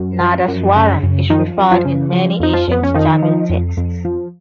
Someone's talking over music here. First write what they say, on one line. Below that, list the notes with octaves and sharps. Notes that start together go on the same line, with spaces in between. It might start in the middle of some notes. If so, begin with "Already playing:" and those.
Nadaswaram is referred in many ancient Tamil texts.
Already playing: F#2
F3
F#2
C#3
F#2
D#3 F3 D#4
F#2
F3 F4
C#3
F3
F2 D#4
F3 F4
F2 B3
C#4
D#3 F3 D#4
F3
F2
F2
F3